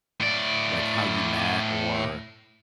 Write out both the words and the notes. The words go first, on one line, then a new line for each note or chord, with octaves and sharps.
like how you met or
A2 D5